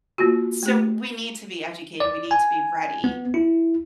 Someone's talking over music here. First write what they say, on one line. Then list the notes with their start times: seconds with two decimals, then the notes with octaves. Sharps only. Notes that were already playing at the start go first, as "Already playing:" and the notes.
so, we need to be educated. We need to be ready
0.18 A#3 F4 F#4
0.63 A3 G4
2.00 D5
2.31 G#5
3.04 B3
3.34 E4